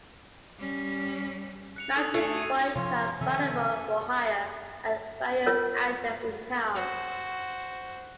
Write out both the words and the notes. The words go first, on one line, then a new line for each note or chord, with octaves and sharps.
Mountain bikes are available for hire at various outlets in town.
G3 C#4
F#6 C#7 F7
D4 D#4 A4 D#6 E6
A3 G#5 E6 C7
F#4 G#6 D#7
C3 F3 F4 C#5
C3 D#3 F3 A4 E5 G#5
F4 A#4 C#5
F#4 C5